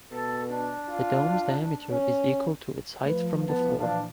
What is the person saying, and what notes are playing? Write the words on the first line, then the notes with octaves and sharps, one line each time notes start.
The dome's diameter is equal to its height from the floor.
B2 A4
D4
F4
C#4
F3 A3 B4
E3 F3 B3 A5
A#2 D4 F5 A5